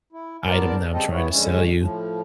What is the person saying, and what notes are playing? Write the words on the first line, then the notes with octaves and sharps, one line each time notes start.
item that I'm trying to sell you."
E4
E2 B3 A#4 C5 D5 A5
C#3 G3 C4 G4 A4 D#5
E3 B3 E4 C#5
F2 D3 G#3 C#4
A2 F3